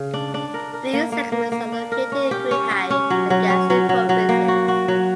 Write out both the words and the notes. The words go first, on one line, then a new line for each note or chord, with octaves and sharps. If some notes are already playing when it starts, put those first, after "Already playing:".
These segments are located in Qinghai and Gansu provinces.
Already playing: C#3
D4
D4
A#4
A#4
A#3
A#3
A#3
A#3
D4
A#4
C#4
G4
C#4
G4
C#4
F#3
F#3
C#4
F#3
F#3
F#3
A#3
F#4
F#4
F#3